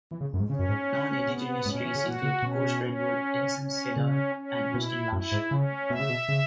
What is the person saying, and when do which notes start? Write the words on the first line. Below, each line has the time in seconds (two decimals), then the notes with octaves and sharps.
Nonindigenous trees include Coast Redwood, Incense-cedar, and Western Larch.
0.11 E3
0.21 C#3
0.33 F#2
0.40 G#2
0.49 C#3 C#4
0.59 F#2
0.69 G#2
1.27 B3
1.65 G#2 C#4
1.74 B2
1.84 E3
1.95 C#3
2.04 E3 F#4
2.23 C#3
2.42 B2 C#4
2.81 C#4
3.58 C#4
3.96 C#3 C#4
4.35 C#4
4.74 B2 E4
5.12 F#2 E4
5.32 G#2
5.51 C#3 C#4
5.89 B2 E5
6.00 C#3
6.09 B2
6.29 C#3